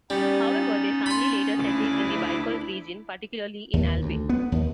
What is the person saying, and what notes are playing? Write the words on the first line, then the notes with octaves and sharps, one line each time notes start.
However, their family later settled in the Bicol region, particularly in Albay.
G3 B3 C#4 D#4 A6
B5 C6
D2 C#3 D4 E4 D6
D#2
D2
B3
D#2